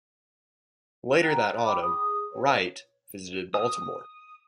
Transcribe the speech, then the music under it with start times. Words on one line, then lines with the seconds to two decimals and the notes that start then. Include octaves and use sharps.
Later that autumn, "Wright" visited Baltimore.
1.22 F#5 G5 A#5 F#6
1.44 D5
1.64 G5 B5 D6
1.82 G#4 D#6
2.31 B4 C#5
3.54 D#6